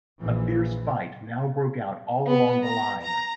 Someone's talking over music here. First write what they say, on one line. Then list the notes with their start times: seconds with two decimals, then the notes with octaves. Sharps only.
A fierce fight now broke out all along the line.
0.19 A#1 A#2 E3
2.28 B3
2.66 A#5
3.03 A#5